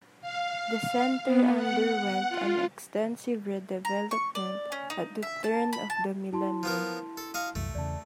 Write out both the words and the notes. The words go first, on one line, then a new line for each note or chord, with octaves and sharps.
The centre underwent an extensive redevelopment at the turn of the millennium.
F5
B3
F#5
F4
A#5
C#6
D5
C#4
D#4
E5
A5
B5
A5
E4 A5 C6
F3 B3 A#4
A4
D#5 F5 C#6
C2 F#2 E3 A3
E2 C#3 D5 A5